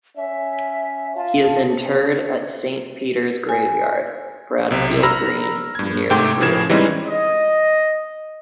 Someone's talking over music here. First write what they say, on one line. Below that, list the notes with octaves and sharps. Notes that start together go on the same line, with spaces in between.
He is interred at Saint Peters grave yard, Bradfield Green, Near Crewe.
C#4 E5
F4 A5
G#5
B1 C3
A#5 B5 E6 F6 A#6
G2 G#6
G#2 C3 A3 G5 C6 D6
A2 C#3 F3 G#6 E7
E3 G3 G#3 C4 C#4 D#4
D#5